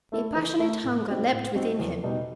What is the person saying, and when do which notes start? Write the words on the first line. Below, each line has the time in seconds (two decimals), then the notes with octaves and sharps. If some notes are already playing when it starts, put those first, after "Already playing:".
A passionate hunger leapt within him.
0.12 A3 E4 A4
0.36 E3
0.59 A3 E4 A4
0.84 A2
1.08 G3 C4 D#4 F#4
1.32 A2
1.55 G3 C4 D#4 F#4
1.79 E2
2.04 B2 G3 D#4